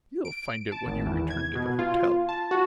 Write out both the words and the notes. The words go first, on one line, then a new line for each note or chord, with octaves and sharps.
You will find it when you return to the hotel.
D7
A5
G#1
E2
G#6
B2
F4
A5
F#4